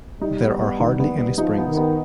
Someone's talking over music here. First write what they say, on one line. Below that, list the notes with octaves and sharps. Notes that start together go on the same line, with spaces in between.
There are hardly any springs.
G3 D#4
B3
B3
D#3
B3
B3
F3 D#4
B3
D#3
B3